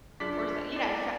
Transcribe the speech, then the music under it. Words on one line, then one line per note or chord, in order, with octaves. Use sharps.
or so you know, s
F#2 D4 F4 G#4 D6 B6
E4 D5 D#5 E7